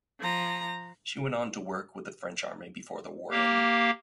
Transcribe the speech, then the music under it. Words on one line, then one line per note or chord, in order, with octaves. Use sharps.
She went on to work with the French army before the war ended.
F3 A#5
A#3 G4 F5